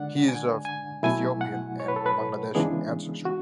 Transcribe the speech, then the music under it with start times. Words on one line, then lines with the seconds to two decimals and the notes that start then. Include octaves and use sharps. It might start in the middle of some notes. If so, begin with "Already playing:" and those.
He is of Ethiopian and Bangladeshi ancestry.
Already playing: D3 G#3 D4 D5 F#5
0.28 G#5
0.65 G#5
1.03 B2 F#3 A3 E4 G#5
1.41 F#5
1.80 C#5
1.88 B4
1.96 A4
2.06 B4
2.55 C#3 E3 G#3 B3 D4 G#4
3.25 F#4